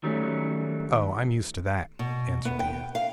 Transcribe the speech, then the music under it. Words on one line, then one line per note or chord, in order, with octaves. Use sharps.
'Oh, I am used to that,' answered the youth.
D#3 F#3 G3 A3 C#4
B2
B3
G5
F5